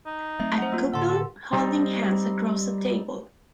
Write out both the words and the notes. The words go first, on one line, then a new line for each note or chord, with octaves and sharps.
A couple holding hands across a table.
D#4
F#3 A3 C4 E5
C5 F#5
A#3 F4
A2 D3 A4 F#5 C6
A4
G3 C4 D#4